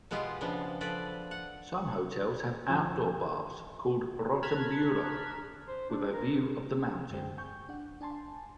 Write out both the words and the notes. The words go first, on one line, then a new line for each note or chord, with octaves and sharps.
Some hotels have outdoor baths called rotenburo with a view of the mountain.
B2 G#3 B3 F4 G4
C#3 F3 B3 D4
F3 A4 B4 D5
F#5
D2 G#2 F3 E6
A5 A#5 F6 F#6 G#6 B6
C5
D4
A#4
F#2 D3 G#3 C5 G5
G5 G#5 C#6 G6
D4 F#5
D4 G#5 A5 C6